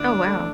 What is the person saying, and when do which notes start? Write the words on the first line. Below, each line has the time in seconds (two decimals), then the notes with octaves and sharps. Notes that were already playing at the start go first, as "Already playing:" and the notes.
Oh, wow.
Already playing: D2 D3 D4 E4
0.26 A3